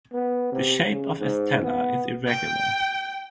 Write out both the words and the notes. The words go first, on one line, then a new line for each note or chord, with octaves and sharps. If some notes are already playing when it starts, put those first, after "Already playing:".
The shape of Estella is irregular.
B3
C3
C#3
G#2
B3
G5